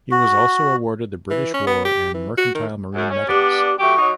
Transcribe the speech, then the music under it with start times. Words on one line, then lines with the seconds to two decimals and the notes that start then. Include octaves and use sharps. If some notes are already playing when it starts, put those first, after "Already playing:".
He was also awarded the British War and Mercantile Marine Medals.
0.11 F#4
1.30 E3
1.54 C#4
1.67 B3
1.85 G4
2.14 E3
2.38 F#4
2.55 D#3
2.95 F#2
3.10 C#4
3.27 B3 D4 G4 D5
3.79 F#3 A3 G4 C#6
3.97 F#3 D#4